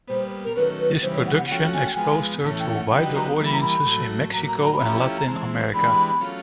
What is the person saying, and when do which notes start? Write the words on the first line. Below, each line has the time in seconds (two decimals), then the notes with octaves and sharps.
This production exposed her to wider audiences in Mexico and Latin America.
0.08 A#2 G3 B3 C5
0.44 A#4
0.56 D#3 F#3 A3 C#4 B4
0.79 B4
1.02 C#3 E3 G3 B3 C5
1.14 C#5
1.26 F#5
1.38 F#5
1.49 F3 A3 C#4 F#4 G5
1.73 G#5
1.84 G5
1.94 F3 G#3 B3 G#5
2.43 A2 E3 A3 C#4 A5
2.59 G5
2.75 F#5
2.91 D3 F#3 B3 D#4 G4 G5
3.15 A#5
3.39 E3 G3 A#3
3.46 B5
3.53 A#5
3.61 B5
3.85 A2 F#3 A3
4.21 A5
4.32 A2 F#3 A#3 A#5
4.47 A#5
4.64 A#5
4.72 B5
4.80 F3 A3 C#4 E4 G4 A#5
5.17 A#5
5.26 E3 G#3 C4 A5
5.74 E3 G#3 B3 D4 G4 B5
6.21 F#3 A3 C#4 F4